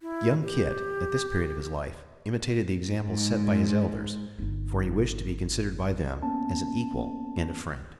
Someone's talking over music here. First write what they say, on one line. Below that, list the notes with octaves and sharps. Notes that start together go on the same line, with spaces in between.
Young Kit, at this period of his life, imitated the example set by his elders, for he wished to be considered by them as an equal and a friend.
E4
G4
G#2 G#3
G1 D#4
A#3 B3 C#4 A5